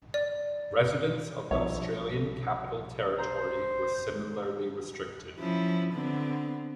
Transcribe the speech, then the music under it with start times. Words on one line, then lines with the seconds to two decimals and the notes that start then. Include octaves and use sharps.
Residents of the Australian Capital Territory were similarly restricted.
0.14 D5
1.51 B1 G2 B2 F3 C#5 E5
3.18 C5 A#5
5.39 F3 C#4 E4
5.93 D3 B3 C4